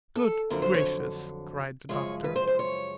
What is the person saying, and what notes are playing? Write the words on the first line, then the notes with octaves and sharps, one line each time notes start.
"Good gracious!" cried the Doctor.
A4
F2 D3 F#3 A#4
C5
C#5
F#2 C#3 F3 G#3 C#5
B4
C5
C5
C#5